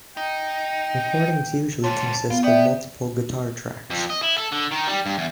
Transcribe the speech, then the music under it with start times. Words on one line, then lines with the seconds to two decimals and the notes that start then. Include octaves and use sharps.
Recordings usually consist of multiple guitar tracks.
0.17 D#4 G5
1.84 D2 G#2 C#5 A5
2.30 B3 F4
2.44 B3 D5 E5 G5
3.90 F2
4.10 D#5
4.23 E4
4.38 A4
4.52 D3
4.71 D#3
4.87 G3
5.06 G2
5.18 E2